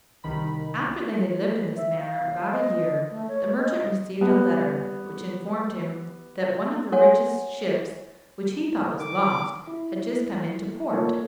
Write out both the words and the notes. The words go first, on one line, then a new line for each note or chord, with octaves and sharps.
After they had lived in this manner about a year, the merchant received a letter, which informed him that one of the richest ships, which he thought was lost, had just come into port.
C2 D#3 B5
E5
F5
D#5
A3
C#5
D#5
G3 B3
F#4 C#5 F#5 G#5
D6
E4
A3 A#3 F4 A4 A#4 C#5